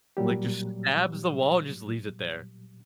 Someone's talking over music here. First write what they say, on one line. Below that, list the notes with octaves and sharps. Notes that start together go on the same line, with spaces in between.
Like, just stabs the wall and just leaves it there,
A#2 F#3 G3 G4